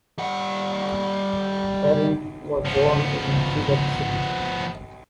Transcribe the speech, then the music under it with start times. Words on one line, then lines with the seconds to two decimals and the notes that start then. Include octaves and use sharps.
Parent was born in Quebec City.
0.18 G3 F#5
2.66 F3 B3